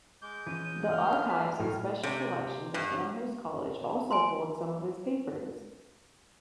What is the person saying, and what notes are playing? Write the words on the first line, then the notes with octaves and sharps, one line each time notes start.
The Archives and Special Collections at Amherst College also hold some of his papers.
G#3 D6 G6
E3 F3 C#4 D#7
F6
E3 G#3 B4 F6
A2 F#3 C#4 D#4 A#4
C3
G2
G#5 A#5 C6